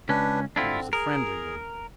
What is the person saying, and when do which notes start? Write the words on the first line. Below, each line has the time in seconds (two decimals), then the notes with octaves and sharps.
She was a friendly woman.
0.09 C#2 C#4 D4 B4
0.56 D3 C4 D4 E4 F4
0.93 G#4 A#4